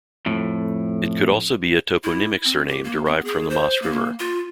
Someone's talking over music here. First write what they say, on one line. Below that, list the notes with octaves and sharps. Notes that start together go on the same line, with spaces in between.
It could also be a toponymic surname derived from the Maas river.
F2 A2
E4
C4
G4
A#3
B3
G#4
C5
A#3
F4